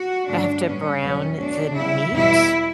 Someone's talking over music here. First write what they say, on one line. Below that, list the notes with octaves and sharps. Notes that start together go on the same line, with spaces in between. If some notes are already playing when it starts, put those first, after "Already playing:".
I have to brown the meat
Already playing: F#4
G2 D3 A3 C#4 D4
A2 G3 B3 C#4
E2 B2 F#3 B3
B2 A3 C#4 D4
C#3 G3 B3 E4
E2 B2 G3 E4